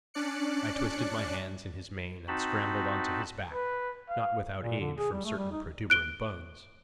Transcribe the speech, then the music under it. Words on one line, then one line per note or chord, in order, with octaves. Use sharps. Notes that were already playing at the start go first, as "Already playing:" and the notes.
I twisted my hands in his mane and scrambled onto his back, not without aid from certain protuberant bones.
C#4 D4 D5 F#6 C#7
C4 D#4 F#4 A5 B5
B4
F5
A#2
D3
G#4
G3
A3
G3
D#4
F#6 D7 G7